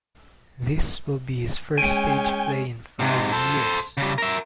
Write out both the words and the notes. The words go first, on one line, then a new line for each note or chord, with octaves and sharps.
This will be his first stage play in five years.
G#3 C#4 G5 G#5
G#2 C3
A4 C5
C#3 G3
A#4 E5